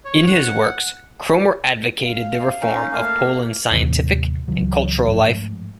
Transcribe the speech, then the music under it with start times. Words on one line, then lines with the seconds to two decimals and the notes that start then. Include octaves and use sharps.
In his works, Kromer advocated the reform of Poland's scientific and cultural life.
0.05 C#5
0.28 F#5
2.03 F5
2.61 C#4 D#4
2.92 A3 A#3 F5
3.71 D#2 A2 C3 E3
4.48 C#2 E3 F#3
5.07 G#2 F3 A3